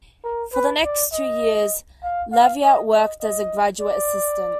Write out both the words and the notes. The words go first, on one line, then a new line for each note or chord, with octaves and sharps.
For the next two years, Leavitt worked as a graduate assistant.
A#4
B4
D5
D#5
F5
F5
D#5
D#5
D#5
D5